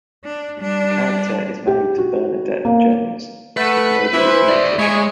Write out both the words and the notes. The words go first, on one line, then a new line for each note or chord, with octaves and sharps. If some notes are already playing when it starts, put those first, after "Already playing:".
The character is married to Bernadette Jones, a Canadian pediatrician.
D4
G3 D4
G4
F#4
A#3
A3 B4 F#5
E3 E4 C5
D5 E5
G#3 E4 G#4 C#5 D#5